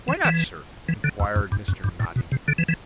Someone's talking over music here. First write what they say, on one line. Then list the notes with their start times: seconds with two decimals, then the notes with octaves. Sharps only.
'Why not, Sir?' inquired Mr. Noddy.
0.08 E3
0.25 E3
0.89 E3
1.04 D3
1.20 E2
1.36 F#2
1.52 G2
1.68 F#2
1.84 G2
2.00 A2
2.16 B2
2.32 C3
2.48 D3
2.58 E3
2.69 E3